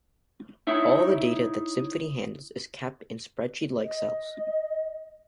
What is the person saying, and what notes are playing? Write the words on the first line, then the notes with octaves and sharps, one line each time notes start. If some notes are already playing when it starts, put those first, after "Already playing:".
All the data that Symphony handles is kept in spreadsheet-like cells.
D#4 E4 C#5 E5
D#5